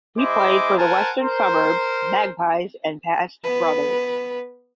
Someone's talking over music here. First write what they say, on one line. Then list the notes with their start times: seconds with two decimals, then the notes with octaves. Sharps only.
He played for the Western Suburbs Magpies and Past Brothers.
0.17 G#3 E4 C5 D#5 D6
0.77 A#4 C5 F#5 G#5 A5
1.22 A#4 C5
3.43 B3 B4